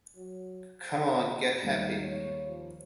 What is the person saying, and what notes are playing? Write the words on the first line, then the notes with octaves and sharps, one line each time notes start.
Come On Get Happy!
F#3
C5
D#2 G3 A#3 D#4
C#5
F3